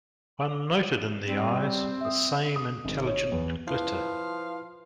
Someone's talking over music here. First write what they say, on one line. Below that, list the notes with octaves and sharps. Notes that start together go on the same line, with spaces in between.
One noted in the eyes the same intelligent glitter.
G3 C4
E5 D#6
D#6
G#1
C#5
E2
F3 E4 B4 F5